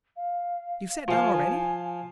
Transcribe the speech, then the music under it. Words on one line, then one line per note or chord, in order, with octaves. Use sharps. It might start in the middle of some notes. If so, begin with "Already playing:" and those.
You've sat down already?
F5
F3 F5 G#5